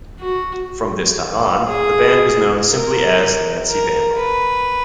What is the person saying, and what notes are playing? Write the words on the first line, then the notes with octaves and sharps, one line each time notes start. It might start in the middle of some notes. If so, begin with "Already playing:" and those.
From this time on, the band was known simply as Nancy Vandal.
F#4
G#4
A#4
A#4
B4